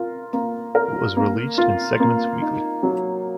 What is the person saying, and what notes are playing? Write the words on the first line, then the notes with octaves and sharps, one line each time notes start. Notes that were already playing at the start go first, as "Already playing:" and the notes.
It was released in segments weekly.
Already playing: F4 A#4
A#3
A#4
A#3
F4
A#3
D#4
F#3